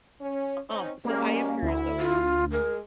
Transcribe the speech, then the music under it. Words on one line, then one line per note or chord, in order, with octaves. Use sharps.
Um, so I am curious though,
C#4
C4 C#4 D#4
F#2 G3 G#3 A#3 C#4
D2 E4
F4
G#3 A#4